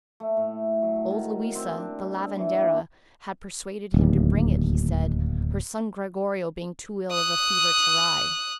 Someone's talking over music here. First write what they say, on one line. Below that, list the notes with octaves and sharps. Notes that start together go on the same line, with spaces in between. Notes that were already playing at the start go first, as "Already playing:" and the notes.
Old Luisa, the /lavendera/, had persuaded him to bring it, he said, her son Gregorio being too ill of a fever to ride.
A3
A2
F#3
D#3
C4
D4
C4
E3
A#3
D1 D#2
D#6 F#6